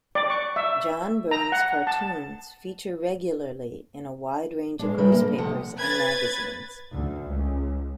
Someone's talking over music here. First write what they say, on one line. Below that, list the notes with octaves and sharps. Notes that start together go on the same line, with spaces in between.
John Byrne's cartoons feature regularly in a wide range of newspapers and magazines.
D5
C#6
E5
A#5
F#5
A5
G#3 B3 D4
C#3 G3 A#4 B4 E5
D3 A#3
D2 C3 F3 C4 F#5 A5
B4 G#6 A6
D2
C#2